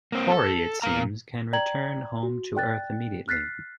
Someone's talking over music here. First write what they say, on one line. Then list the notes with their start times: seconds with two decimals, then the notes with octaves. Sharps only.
Corry, it seems, can return home to Earth immediately.
0.12 A#3 C4
0.31 A4
0.82 A#2 A#4 F5 A#5
1.53 D5 G5 A#5 G#6 F#7
2.23 F#4
2.56 D5 G5 F#6 A6
3.28 F6 F#6 A6 B6 C7